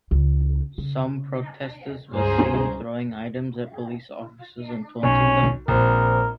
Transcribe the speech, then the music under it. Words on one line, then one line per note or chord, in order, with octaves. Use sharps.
Some protesters were seen throwing items at police officers and taunting them.
C#2
C#3
C#2 G2 C#4 G#4 C5 A#5
B1 C#4
A#1 C4 A#4